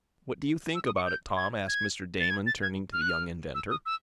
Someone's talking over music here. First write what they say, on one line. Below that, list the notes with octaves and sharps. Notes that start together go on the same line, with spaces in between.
"What do you think about it, Tom?" asked Mr. Damon, turning to the young inventor.
E6
D#6
C#6
G6
G#6
G#6
A6
G#6
A6
G#6
F6
F#6
F6
E6
D#6
E6